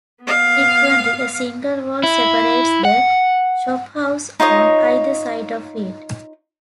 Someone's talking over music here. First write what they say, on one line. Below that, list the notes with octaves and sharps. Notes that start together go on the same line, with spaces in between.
Frequently, a single wall separates the shophouses on either side of it.
B3 F5
E4
F#5
D#4 F4 C#5 D#5